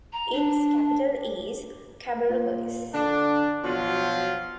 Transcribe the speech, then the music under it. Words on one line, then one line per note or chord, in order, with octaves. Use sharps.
Its capital is Cabarroguis.
A#5
D4
A#2
D3 D4
B2 F3 F#3 F4